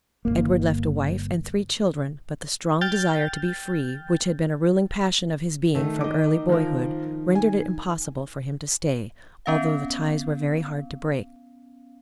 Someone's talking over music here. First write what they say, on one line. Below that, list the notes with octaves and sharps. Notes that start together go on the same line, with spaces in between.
Edward left a wife and three children, but the strong desire to be free, which had been a ruling passion of his being from early boyhood, rendered it impossible for him to stay, although the ties were very hard to break.
G1 E2 A#3
G5 F6 G6 A6
D#3 A3
D#5 D6
F3 A#4
G#5
B3 C#4 F5